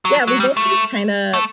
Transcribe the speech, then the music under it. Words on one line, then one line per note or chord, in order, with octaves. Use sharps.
Yeah, we both just kinda
F#3
F#3
G3
A3
A3